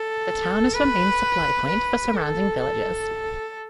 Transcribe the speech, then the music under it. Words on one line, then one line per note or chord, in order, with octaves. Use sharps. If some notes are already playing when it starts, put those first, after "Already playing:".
The town is the main supply point for surrounding villages.
Already playing: A4
B4
B4
A4
A4